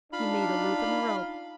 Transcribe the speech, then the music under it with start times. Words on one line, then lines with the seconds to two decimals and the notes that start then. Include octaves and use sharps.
He made a loop in the rope.
0.13 D4 D#4 F4 F5 B5